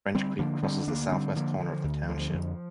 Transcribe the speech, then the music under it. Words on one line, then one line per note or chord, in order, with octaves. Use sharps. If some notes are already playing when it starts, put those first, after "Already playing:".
French Creek crosses the southwest corner of the township.
D3 G3 C4
D3 F3 A#3
D3 G3 C4
D2 A#3 D4
D3 G3 C4
D3 F3 A#3
D3 F3
D2
D3 F3
F2